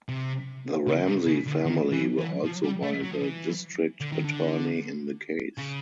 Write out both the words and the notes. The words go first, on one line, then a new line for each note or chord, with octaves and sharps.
The Ramsey family were also by the district attorney in the case.
C3
C#3
C3
C#3
D3
D#3
E3
E3
F3
G3
A3
F#3
F3
E3
D3
D#3
D3
C#3